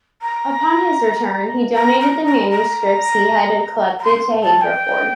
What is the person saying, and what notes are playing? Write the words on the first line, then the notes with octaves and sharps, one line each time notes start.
Upon his return, he donated the manuscripts he had collected to Haverford.
A#5
A#5
A#5
A#5
A#5
A#5
C6
A5
G5